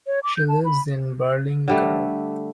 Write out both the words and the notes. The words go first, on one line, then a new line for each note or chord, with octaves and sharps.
She lives in Berlin-Karow.
C#5
D6
G6
A5
B5
D3 G3 A3